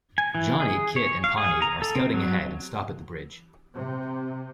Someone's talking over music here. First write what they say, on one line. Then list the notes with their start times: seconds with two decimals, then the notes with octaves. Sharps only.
Johnny, Kit and Pawnee are scouting ahead and stop at the bridge.
0.18 G#5
0.35 E3
0.60 G#4
0.96 C#5
1.24 F5
1.37 G#4
1.62 A#5
1.82 A4
1.95 C4
2.14 F#3
3.74 C3